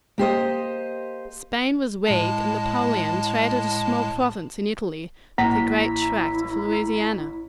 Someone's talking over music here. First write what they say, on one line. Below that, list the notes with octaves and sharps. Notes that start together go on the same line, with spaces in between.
Spain was weak, and Napoleon traded a small province in Italy for the great tract of Louisiana.
A#3 G4 C5 D#5
A2 G#3 A5
A1 A#3 E4 A#5 B6